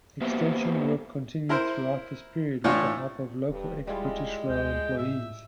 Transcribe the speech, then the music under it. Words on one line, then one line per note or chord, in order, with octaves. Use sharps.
Extension work continued throughout this period with the help of local ex-British Rail employees.
A#3 B3 G4 B4 C5 E5
E4 A#4 C5
A2 E3 D4 F4
D#1 G2
G3 G#3 E4 F4
D2 G5
A2 E5